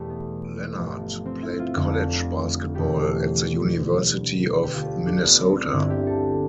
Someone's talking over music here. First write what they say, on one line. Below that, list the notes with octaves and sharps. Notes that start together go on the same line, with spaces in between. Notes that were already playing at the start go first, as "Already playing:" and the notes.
Lenard played college basketball at the University of Minnesota.
Already playing: E2 B2 G3 A3 G4
B3
G1 G2 F3 A3
C4
E4
F4
F1 F2 D3 A3
E2 B2 A3 G4
D2 D3 G3
G4
D2 D3 A3 F4
D4
B3
C4
D4
G1 G2 D3 E4
G4
A4